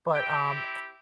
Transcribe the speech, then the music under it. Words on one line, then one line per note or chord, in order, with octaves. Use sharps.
but, um,
C4 E4 G4 G5